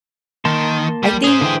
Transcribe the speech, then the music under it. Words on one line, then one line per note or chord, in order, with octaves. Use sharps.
I think
D#3 A#3 A5 C6
G3
G#4 C5
D3 E3 G5